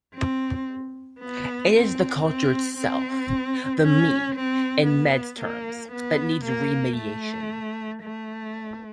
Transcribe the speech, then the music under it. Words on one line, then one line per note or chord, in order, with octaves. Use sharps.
It is the cultured self, the "me", in Mead's terms, that needs re-mediation'.
C4
B3
C4
C4
C4
C#4
C4
B3
A#3
B3
A#3
A3
A3